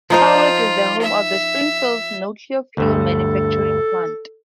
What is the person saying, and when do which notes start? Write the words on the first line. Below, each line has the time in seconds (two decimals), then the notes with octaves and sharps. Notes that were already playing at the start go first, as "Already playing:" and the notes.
Salwick is the home of the Springfields nuclear fuel manufacturing plant.
0.10 F3 D#4 F4 C5
1.01 E5
2.77 D2 G2 A4